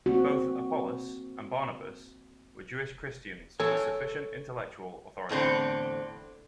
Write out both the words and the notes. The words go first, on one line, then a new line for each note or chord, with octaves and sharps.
Both Apollos and Barnabas were Jewish Christians with sufficient intellectual authority.
A#3 C4 F#4
A4 C#5 G#5
E2 A2 D3 C4